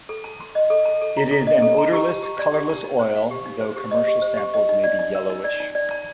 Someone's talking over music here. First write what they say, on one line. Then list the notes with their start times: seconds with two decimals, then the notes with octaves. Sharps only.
It is an odorless, colorless oil, though commercial samples may be yellowish.
0.09 A4
0.24 A5
0.40 C6
0.55 D#5
0.70 A4
0.85 A5
1.01 A4
1.17 A#5
1.31 A4
1.47 D#5
1.62 A4
1.78 A#5
1.93 G4
2.09 A5
2.23 G4
2.39 D5
2.53 G4
2.69 A5
2.84 D#4
2.99 C5
3.16 F5
3.31 G4
3.46 D#4
3.61 C5
3.76 G4
3.91 D#5
4.08 G4
4.22 C5
4.37 G4
4.54 D#5
4.69 D#4
4.84 D5
4.99 D#4
5.15 A#4
5.30 D#4
5.44 D5
5.60 D#4
5.75 D5
5.91 A5